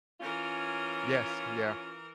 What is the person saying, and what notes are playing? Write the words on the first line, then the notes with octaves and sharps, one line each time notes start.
Yes, yeah.
E3 C#4 F4 A#4